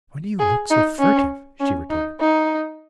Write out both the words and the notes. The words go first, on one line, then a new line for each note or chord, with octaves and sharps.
"Why do you look so furtive?" she retorted.
G#4
D#4
C#4
C#4
D#4
D#4